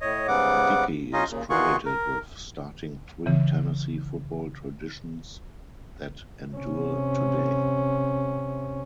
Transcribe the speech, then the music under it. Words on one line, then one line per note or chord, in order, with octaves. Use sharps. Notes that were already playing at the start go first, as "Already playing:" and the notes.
Dickey is credited with starting three Tennessee football traditions that endure today.
A2 C#5 D#5
G#2 C#3 G3 B3 F#5 D6
C#4 D#4 F4 D#5
D#2 A#2 C#3
E2 D#3 F4 F#4 G#4 C#6
A#4
C#3 E3
C3 C#4